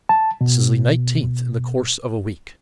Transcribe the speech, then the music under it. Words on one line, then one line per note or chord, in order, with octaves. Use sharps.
This is the nineteenth in the course of a week.
A5
B2